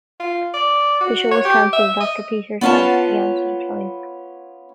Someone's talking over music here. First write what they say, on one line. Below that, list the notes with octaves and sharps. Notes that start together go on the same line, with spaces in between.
The show was canceled after Peters' health began to decline.
F4
D5
F#4
C#5
G4
E5
D#5
B3 C#4 F4 C#5 A5